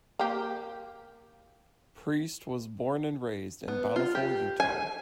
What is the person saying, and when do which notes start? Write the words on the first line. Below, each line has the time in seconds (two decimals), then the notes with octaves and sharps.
Priest was born and raised in Bountiful, Utah.
0.19 A#3 G4
3.68 B3
3.96 F4
4.15 G4
4.60 G#5